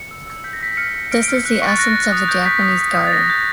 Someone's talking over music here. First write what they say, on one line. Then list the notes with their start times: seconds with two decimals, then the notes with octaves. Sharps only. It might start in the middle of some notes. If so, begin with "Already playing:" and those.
This is the essence of the Japanese garden.
Already playing: C#7
0.11 E6
0.27 E6
0.44 G6 B6
0.53 A#6
0.61 E6 B6
0.77 F6 C#7
0.95 F6
1.11 F6 D7
1.23 D7
1.28 F6
1.34 C#7
1.45 F#6
1.56 C#7
1.62 C#6
1.68 A6
1.79 F#6 A#6
1.96 F#6
2.12 D#6
2.28 G6
2.46 G6 B6
2.63 D#6
2.79 D#6
2.96 D#6
3.07 A6
3.12 D#6 A#6
3.30 G6